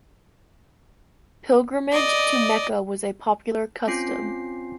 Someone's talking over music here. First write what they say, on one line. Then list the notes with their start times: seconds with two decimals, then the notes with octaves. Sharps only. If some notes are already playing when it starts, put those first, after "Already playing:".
Pilgrimage to Mecca was a popular custom.
1.92 D5 D#5
3.87 C4 C#4 F4 C7